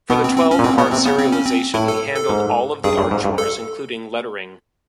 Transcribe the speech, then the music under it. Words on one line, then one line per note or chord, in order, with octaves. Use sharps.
For the twelve-part serialization, he handled all of the art chores including lettering.
B2 B3
C4
C4
C#4
A#2
B2 C4
B2 B3
C3 C4
C#3 B3
C4
C#4
C4
A2 E4
A4
A4
G#2
G2 G#4
G2
G#2
G2
A4